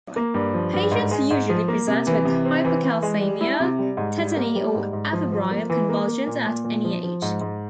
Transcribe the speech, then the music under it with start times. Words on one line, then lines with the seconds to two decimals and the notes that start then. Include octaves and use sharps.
Patients usually present with hypocalcaemia, tetany, or afebrile convulsions at any age.
0.16 A#3
0.34 G2
0.54 F3
0.73 G2
0.91 G#2
1.11 G#3
1.30 G#2
1.49 F3
1.68 A#3
1.88 C3
2.07 E3
2.25 C3
2.45 C4
2.65 E3
2.83 E3
3.03 G#3
3.21 G3
3.41 E4
3.60 C3
3.79 G3
3.97 G#2
4.17 G3
4.36 A#3
4.55 G3
4.75 G#2
4.93 G#2
5.13 F3
5.32 F3
5.51 A#3
5.70 E3
5.89 A#3
6.08 A#3
6.27 A#2
6.47 A#2
6.64 A#2
6.84 F3
7.03 F3
7.22 G#2
7.41 G#2